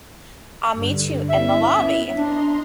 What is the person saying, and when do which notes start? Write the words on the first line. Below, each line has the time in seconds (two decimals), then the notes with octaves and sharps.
I'll meet you in the lobby.
0.73 G2 D3
1.29 B3 C#4 E4 E5
2.16 D4 D#5 A#5 C6